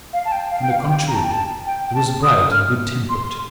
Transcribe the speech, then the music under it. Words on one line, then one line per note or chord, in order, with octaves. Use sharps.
On the contrary he was bright and good-tempered.
F5
A5
G5
F5
G5
F5
G5
A#5
A5
G5
A5
G5
G5
A5
D#6
F6
C6
C6